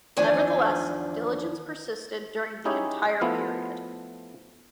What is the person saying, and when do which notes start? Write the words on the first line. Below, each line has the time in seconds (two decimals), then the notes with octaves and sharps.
Nevertheless, diligence persisted during the entire period.
0.17 E2 D#3 F3 D4 G#5
2.65 C#4 D#4 E4 G4 G#4 C#5
3.21 F3 A3 B3 E4 F4